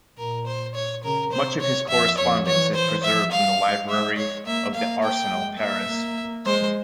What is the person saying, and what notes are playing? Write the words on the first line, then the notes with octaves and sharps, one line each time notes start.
Much of his correspondence is preserved in the library of the Arsenal, Paris.
A#2 A#4
C5
C#5
C#3 A#4
C3 C5
C3 C#5
F2 E5
F2 C#5
E3 C#5
C5
F3 E5
G3 F5
G#3 E5
C#5
A#3 E5
A#3 F5
G5
G#3
A#3 E5
A#3
G#3 C5